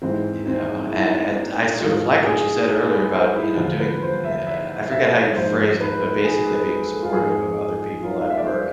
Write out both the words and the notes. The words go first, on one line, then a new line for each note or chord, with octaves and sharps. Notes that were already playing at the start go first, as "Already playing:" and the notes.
You know? A and I sort of liked what you said earlier about, you know, doing, e a a, I forget how you phrased it, but basically being supportive of other people at work.
G#2 E3 C4
C4
E4
D4
G#2 E3 F4
G#4
A4
B4
C5
E4
E2 D3 F3 F4
B4
C5
E5
E5
E5
G#2 F3 C5
B4
G#4
B4
A4
F4
G#2 F3 G#4
F4
F5
E5
D5
C5